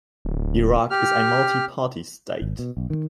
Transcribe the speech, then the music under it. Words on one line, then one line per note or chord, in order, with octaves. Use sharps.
Iraq is a multi-party state.
D1
G4 F6
G#1
B2
B1
D#3